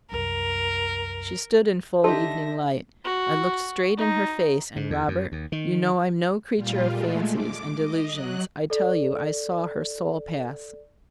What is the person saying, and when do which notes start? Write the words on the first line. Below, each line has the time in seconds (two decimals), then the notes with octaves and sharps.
She stood in full evening light, I looked straight in her face, and Robert, you know I'm no creature of fancies and delusions, I tell you I SAW HER SOUL PASS.
0.12 C2 F#2 A#4
2.04 D3 D#4 G4 A4 E5 A5 C6 A#6
3.05 F#4
3.98 D#4
4.76 G#2
4.90 E2
5.08 F#2
5.32 D#2
5.52 D#3
6.55 A#2 G3 F4
6.89 G#3 A3
7.33 D6
7.78 D#5
8.11 F#3 F#6
8.70 A4 D5